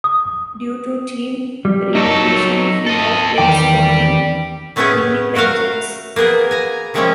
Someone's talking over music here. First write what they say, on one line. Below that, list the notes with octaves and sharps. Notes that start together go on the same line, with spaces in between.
Due to team relocation he now plays for the Winnipeg Jets.
D#6
G3
F#3 D#4 A4
A4 D#5
E2 D#3 G4 D5 G5
A2 A3 B3 C#4 E4 G#4
A3 F#4 A#4 F5
A#3 B3 G#4 A#4
G#5 A#5
C3 F3 G#3 A#3 C4 C#4